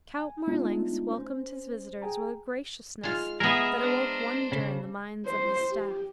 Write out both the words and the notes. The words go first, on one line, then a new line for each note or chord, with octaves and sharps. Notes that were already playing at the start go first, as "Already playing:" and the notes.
Count Marlanx welcomed his visitors with a graciousness that awoke wonder in the minds of his staff.
G#5
G#3 A3 B3 D4 D#4 F4
C#4 C5
G#4 G5 G#5 A#5
G#3 F4 F6
G#3 B3 G#4 A#4 D#5 E5
D4 C5
C#3
C5
G4